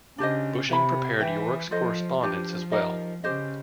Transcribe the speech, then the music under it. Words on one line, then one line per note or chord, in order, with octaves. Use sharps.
Bushing prepared York's correspondence as well.
C#3 D4 G4 C5 D#5
C3 B4 E5 G#5 B5
E3 B4 E5 G5
F3 F4 A4 C5 D#5
F3 D4 G4 B4
D#4 G4 A#4 D#5
C#3 G4 C5 D#5